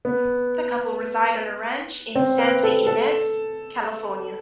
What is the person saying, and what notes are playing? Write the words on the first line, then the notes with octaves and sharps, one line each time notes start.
The couple reside on a ranch in Santa Ynez, California.
B3
C4
B4
A4
A4